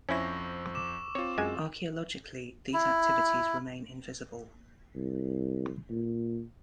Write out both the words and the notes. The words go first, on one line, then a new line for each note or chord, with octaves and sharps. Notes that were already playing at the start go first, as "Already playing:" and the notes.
Archeologically these activities remain invisible.
F2 C#4 E4 C5 C#6 E6 A#6
D6 E7
C4 F4 C#5
F#2 G#3 G#5
E4
C2
A#2